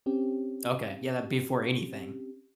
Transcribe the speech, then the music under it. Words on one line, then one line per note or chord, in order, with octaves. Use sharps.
Okay. Yeah, that'd be for anything.
C4 C#4 G4